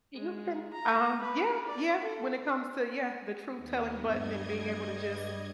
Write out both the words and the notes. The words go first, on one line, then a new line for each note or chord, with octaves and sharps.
You can, um Yeah, yeah, when it comes to yeah, the truth-telling button and being able to just
G#3
A#5
B4
D5
A4
D#2 B3
G2 G3 D#5 G#6